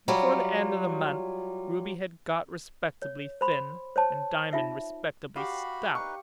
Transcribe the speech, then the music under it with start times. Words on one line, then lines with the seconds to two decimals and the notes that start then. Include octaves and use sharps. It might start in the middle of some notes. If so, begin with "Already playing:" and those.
BEFORE the end of the month, Ruby had got respectably thin, and Diamond respectably stout.
0.08 F#3 G3 F4
3.02 C#5
3.41 C5 B5 C6
3.96 C5 C#5 A5
4.53 D#4 F4 E5
5.36 F#4 G4 F5 B5
5.95 D#4 B4 C#6